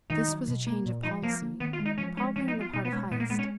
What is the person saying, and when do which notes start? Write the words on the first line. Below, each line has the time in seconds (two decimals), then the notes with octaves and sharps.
This was a change of policy, probably on the part of Heyst.
0.10 D#3 D#4
0.28 F#3
0.48 B2
0.67 A#3
0.86 A#2
1.03 F3 D#4
1.22 F3 A#3
1.42 A#3
1.60 D#3 B3
1.73 F4
1.79 G#3
1.85 D#4
1.98 F3 C#4
2.17 G#3 C#4
2.36 F3 C#4
2.48 D#4
2.55 B3
2.61 F4
2.73 B2 D#4
2.85 B3
2.92 G#3 C#4
3.11 A#2 B3
3.20 A#3
3.30 G#3 B3
3.39 C#4